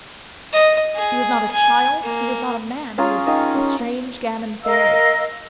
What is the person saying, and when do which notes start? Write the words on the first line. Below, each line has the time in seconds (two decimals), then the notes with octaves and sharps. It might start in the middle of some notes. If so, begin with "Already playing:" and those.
He was not a child, he was not a man; he was a strange gamin-fairy.
0.53 D#5
0.96 G#4
1.51 G#5
2.03 A#3
2.98 C#4 F4 G#4 A#5
3.27 D#3 D#4 D#5 F5
3.55 C#4
4.63 A#4 D#5 F5 E6